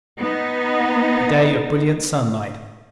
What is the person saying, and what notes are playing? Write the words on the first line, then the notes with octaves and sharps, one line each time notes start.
A day of brilliant sunlight.
B3 D#4